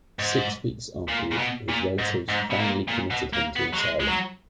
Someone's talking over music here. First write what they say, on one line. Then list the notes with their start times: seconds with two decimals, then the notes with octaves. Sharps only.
Six weeks afterward, his relatives finally committed him to an asylum.
0.19 G#2
1.09 A#2
1.32 A#2
1.38 B2
1.69 A#2
1.99 G#2
2.29 G#2
2.50 B2
2.59 A#2
2.88 A#2
3.10 B2
3.33 A#3
3.56 B3
3.74 F#3
3.78 G#3
4.00 G#3
4.08 F#3